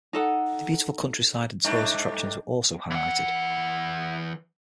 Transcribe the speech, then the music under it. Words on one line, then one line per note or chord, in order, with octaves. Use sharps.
The beautiful countryside and tourist attractions were also highlighted.
D#4 A4 F#5
G2 A3 D4
E3 F#5